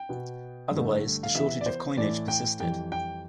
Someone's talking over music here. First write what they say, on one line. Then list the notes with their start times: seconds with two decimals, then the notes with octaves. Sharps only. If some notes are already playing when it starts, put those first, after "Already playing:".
Otherwise, the shortage of coinage persisted.
Already playing: G5
0.09 B2 B3
0.71 G2 D3 A3
1.23 F5
1.34 C3 E3 B3 E5
1.61 D5
1.66 C5
1.97 A2 E3 A3 D5
2.28 G5
2.59 F2 E3 G3 G5
2.92 G5